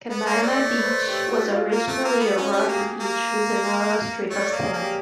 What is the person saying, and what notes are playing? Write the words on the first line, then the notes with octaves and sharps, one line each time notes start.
Kaimana Beach was originally a rocky beach with a narrow strip of sand.
B3
A#3
C#5
A3 D5
D5
C#5
B4
C5
G4
F#4
F#4
F4
A#3
A3
A#3
B3
C#4 F#4
C#4
G4
A#3
G#4
G4
A#3
A3 C#5
D5
A#3
G#4
A#3
G4